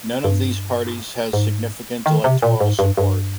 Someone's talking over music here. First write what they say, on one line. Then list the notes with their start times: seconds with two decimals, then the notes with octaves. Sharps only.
None of these parties has significant electoral support.
0.24 G2
1.33 G#2
2.06 D#3
2.24 C3
2.42 A#2
2.60 G#2
2.79 G2
2.97 G2